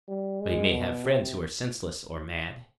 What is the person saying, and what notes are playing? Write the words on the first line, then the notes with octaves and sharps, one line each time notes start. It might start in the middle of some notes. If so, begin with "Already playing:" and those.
But he may have friends who are senseless or mad?
G3
G#3
B2
C3